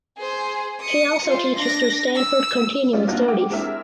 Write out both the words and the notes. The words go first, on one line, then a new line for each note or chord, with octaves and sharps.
She also teaches through Stanford Continuing Studies.
G#4 C5
D#6 C#7
F4 C5
D4 A#6
E6
G3 B3 C#4 F4 D5 E5
A3 A#3 D4 D#4 F4 F#4
F#5 G5 D6
G#3 C4 D4 E4 A#4 E5